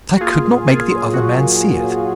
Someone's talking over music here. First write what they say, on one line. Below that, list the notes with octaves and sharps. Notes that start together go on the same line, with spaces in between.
But I could not make the other man see it.
F#4
A#3 F4 G#4
A#2
A#2 F4 G#4
F#3
A#3 F#4
A#2
A#2
F#3